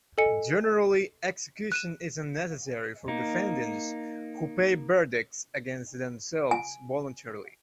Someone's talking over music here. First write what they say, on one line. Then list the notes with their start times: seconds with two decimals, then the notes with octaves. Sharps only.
Generally, execution is unnecessary for defendants who pay verdicts against themselves voluntarily.
0.18 A4 D#5 G#5 C#7
1.72 F#6 D#7 E7
3.08 A#3 D#4
6.51 G#5